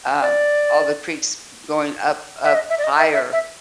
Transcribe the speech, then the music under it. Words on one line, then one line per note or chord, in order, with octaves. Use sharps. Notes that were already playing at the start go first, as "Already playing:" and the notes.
um, all the creeks going up up higher,
D5
E5
D#5
E5
D5
D#5
E5
E5
E5